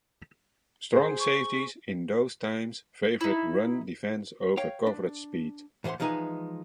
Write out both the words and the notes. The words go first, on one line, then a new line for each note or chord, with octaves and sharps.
Strong safeties in those times favored run defense over coverage speed.
G#4 C5
C#6
D#4 E4
C#5 F5 G5
D4
A2 E3 C5 F#5 C6
E3 F3 G#3 D#4 B4 G#5